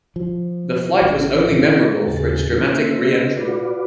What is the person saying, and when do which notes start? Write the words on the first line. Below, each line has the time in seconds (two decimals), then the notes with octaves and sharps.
The flight was also memorable for its dramatic re-entry.
0.16 F3
1.02 A1
1.53 E3
2.07 D#2 A2 C#3 G#4 A6
2.52 D#3 F3 B3 C#4 D#4 F4
2.70 A#3 C#4 D#4 C5 E5
3.37 F4 F#4 B4 D5